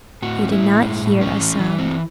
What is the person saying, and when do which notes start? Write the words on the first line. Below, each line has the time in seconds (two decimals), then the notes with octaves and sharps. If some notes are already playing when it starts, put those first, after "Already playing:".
They did not hear a sound.
0.22 A2 F#4
0.43 C#4
0.52 E4
0.62 A2
0.82 G#3
1.02 A2
1.21 C#4
1.41 E3
1.59 E3
1.79 C4